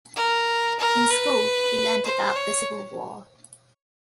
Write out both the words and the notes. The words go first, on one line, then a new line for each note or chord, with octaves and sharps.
In school, he learned about the Civil War.
A#4
A#4
B4
C5
C#5